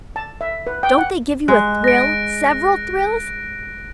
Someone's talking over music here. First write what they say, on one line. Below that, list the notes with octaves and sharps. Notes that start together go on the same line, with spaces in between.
Don't they give you a thrill--several thrills?
A5
E5
B4
G5
F#5
G#3 F#6
A#6 D7